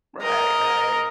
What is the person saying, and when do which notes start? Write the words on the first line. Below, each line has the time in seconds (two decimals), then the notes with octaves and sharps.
Right, right.
0.22 A#4 D#5